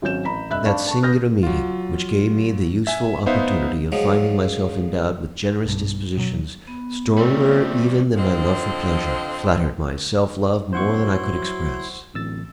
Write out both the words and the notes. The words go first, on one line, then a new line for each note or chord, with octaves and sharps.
That singular meeting, which gave me the useful opportunity of finding myself endowed with generous dispositions, stronger even than my love for pleasure, flattered my self-love more than I could express.
G#1 F#3 C#4 G6 E7
A1 A#5 B5 B6
F1 G2 D#5 E5 B5 F#6
D4 F5 A5 B5 C#6
A5 C#6
B4 D#6 F6 G6 A#6
F#3 F4
E5 G#5
B3 D#4 C5 E5 F5
F3 F#3 G#3
B1 G2
B2 F#3
B3
F3 G3 A3 C4
D3 F3 C4 C5 D#5
G1 E4 C5 F#5 C6 C#6
F#3
D1 A1 E6 A6